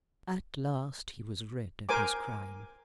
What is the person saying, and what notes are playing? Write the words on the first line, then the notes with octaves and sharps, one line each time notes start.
At last he was rid of his crime.
A#4 C5 G#5 D6